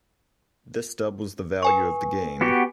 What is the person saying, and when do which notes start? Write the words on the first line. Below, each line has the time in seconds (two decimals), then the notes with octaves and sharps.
This doubles the value of the game.
1.63 B4 G#5 C#6
2.41 B3 F#4 G4